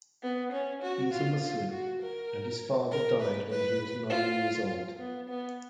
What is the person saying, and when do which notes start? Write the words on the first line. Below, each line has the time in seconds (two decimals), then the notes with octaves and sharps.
He is a Muslim, and his father died when he was nine years old.
0.23 B3
0.52 C#4
0.82 F#4
1.12 F4
1.42 F4
1.71 F#4
2.02 A#4
2.91 A#4
3.21 B4
3.50 B4
4.10 F4
4.99 B3
5.29 B3